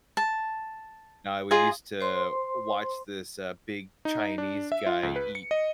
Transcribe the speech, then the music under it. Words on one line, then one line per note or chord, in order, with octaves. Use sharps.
now we used to watch this, uh, big Chinese guy eat
A5
F4 G#4 D#5 G#5
C5 C6
D#4
D4
E5
F4
C#2
B4
C#7
D#5